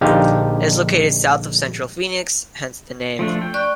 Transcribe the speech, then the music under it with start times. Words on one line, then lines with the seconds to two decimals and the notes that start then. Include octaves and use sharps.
It is located south of central Phoenix, hence the name.
0.01 A#1 D3 D#4 G4 F5 G5
3.19 F3 A3 D4
3.42 G5
3.54 D5 C#6 F#6